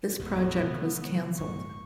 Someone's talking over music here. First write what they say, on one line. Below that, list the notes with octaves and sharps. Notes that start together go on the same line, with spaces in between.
This project was cancelled.
A1 F2 A#2 A3 B3
C3 D#3 G#3
D1 G1 G#3 C#6